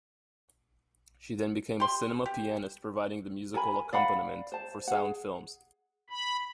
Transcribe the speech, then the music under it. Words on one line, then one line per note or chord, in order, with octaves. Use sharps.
She then became a cinema pianist providing the musical accompaniment for silent films.
G4 C6
G4
A4 A#4 G#5 B5
D5 F5 F#5 B5
C5 A5
G#4 F#5
B5